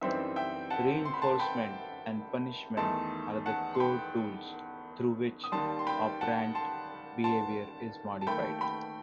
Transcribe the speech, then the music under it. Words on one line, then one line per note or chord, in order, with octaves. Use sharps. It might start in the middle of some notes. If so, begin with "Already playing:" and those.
Reinforcement and punishment are the core tools through which operant behavior is modified.
F#2 E3 G3 C4 D#4 C5 E5
E5 G5
F#5 A5
C6
B5
A5 C6
G5 B5
E2 D#3 A3 D#4 A5 C6
F#5 A5
C6
G5 B5
D#6
D#2 D#3 G3 A5 C6
C6
G5 B5
F#5 A5
A5 C6
A5 C6
A5
D#2 D#3 A3 G5 B5
G5 B5